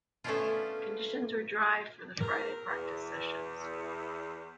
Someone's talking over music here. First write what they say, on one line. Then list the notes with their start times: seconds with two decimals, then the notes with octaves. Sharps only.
Conditions were dry for the Friday practice sessions.
0.24 A3 B3 C#4 D4 E4 F4
2.20 E2 A#4
2.68 E2